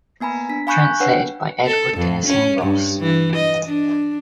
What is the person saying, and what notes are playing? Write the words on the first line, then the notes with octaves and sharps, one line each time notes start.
Translated by Edward Denison Ross.
A#3 B3 G#5 A#5 B5
D4 B6
F5 G#5 B5 C#6 F#6 G6
D4 B4 C#5 F#5 G5 C7
A4
F2
C#4
G2
E3
D#5
D4